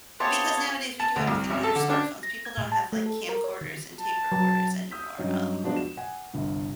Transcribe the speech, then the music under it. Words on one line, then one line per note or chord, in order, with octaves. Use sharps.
because nowadays we do everything on our smartphones. People don't have like camcorders and tape recorders anymore. Um.
B3 C4 F4 G4 G#4 C#5 E5 A5
A5
D2
C2
G#1
A4
D3
D4
A#6
G#6
A2
A5
A3
A4
A#4
C#5
D#3
A5
F#3
D#6 E6 G6 B6
G2 F#3 C#4 D#4
F3 G#3 B3 D4 F#4 D5
E7
F#5 G#5
G1 C2 G2